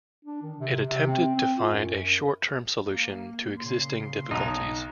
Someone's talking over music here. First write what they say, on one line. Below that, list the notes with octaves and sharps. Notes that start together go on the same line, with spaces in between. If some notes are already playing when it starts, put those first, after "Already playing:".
It attempted to find a "short-term solution to existing difficulties".
D4
D#3
C3
C3
C4
C4
F4
F#2
A#3
A#2 C#3 C6
B1 D#4 A#5